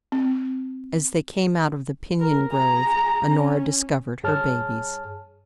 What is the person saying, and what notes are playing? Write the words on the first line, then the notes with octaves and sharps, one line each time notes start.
As they came out of the pinon grove, Honora discovered her babies.
C4
A#4
G#4 A#5
C#4
G2 G#4 C#5 A5 F6